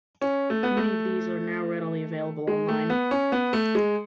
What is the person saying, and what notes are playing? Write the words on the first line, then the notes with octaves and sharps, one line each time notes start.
Many of these are now readily available online.
C#4
A3
B3
A3
G#3
A3
B3
C#4
B3
A3
G#3